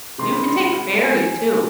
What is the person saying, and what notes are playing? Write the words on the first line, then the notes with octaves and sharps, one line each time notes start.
You can take a ferry too.
C3 D#3 G#3 C6
B5
C6
B5
G#5